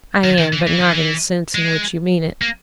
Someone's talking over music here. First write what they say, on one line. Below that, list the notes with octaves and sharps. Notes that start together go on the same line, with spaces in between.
I am--but not in the sense in which you mean it.
D#3
D#3
E3
E3
D#3
E3
G#3
A#3